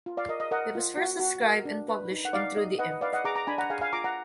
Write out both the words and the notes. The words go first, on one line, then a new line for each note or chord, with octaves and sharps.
It was first described and published in Trudy Imp.
F4
D5 F5
A#4 D#5
D#5
A#4 D#5 F#5
F4
F#4
F#4
A#4
D4
B4
D#4
F#5
D#4 D5 F5
D#4 D#5
B4 D#5 F#5
D#5
B4 D5 F5
D#5 F#5
G#4 A#5 D6
A#5 D6
D4 G#5 B5
F#5 A#5
G#4 F5 G#5
F5 G#5
F4 A#5 D6
F#5 A#5